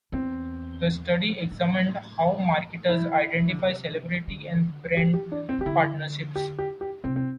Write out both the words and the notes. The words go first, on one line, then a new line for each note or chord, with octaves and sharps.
The study examined how marketers identify celebrity and brand partnerships.
E2 C4
A2
E4
E3
D3
C3
D3
E3 G4
G4
D4
C4
E3 G4
D3 E4
G4
G4
G4
C3 C4
C4